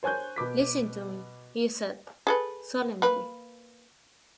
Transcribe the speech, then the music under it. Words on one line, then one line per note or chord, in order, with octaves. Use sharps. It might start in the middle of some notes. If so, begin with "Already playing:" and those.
"Listen to me," he said solemnly.
C5 C#5 G#5 F#6 G6
B2 B4 D6 B6
G#4 A4 B4
A#3 B4